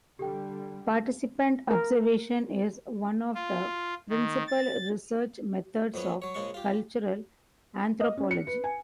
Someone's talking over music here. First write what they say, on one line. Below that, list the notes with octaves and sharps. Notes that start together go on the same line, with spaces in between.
Participant observation is one of the principle research methods of cultural anthropology.
D3 G3 G4 A4 G5
A#4
F4
D#3
A6
F2 F#3 B3 C#4
F#3 C#5
A#1 C#3 G#3 C#4 C#6
F4 G4
D#5
C#4
C#7
B4
G#5